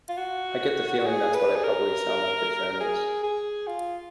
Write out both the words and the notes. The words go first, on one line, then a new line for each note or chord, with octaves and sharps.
I get the feeling that's what I probably sound like to Germans.
F4
F#4
F#4
G#4
B4
G#4
A#4
G#4
G#4
F4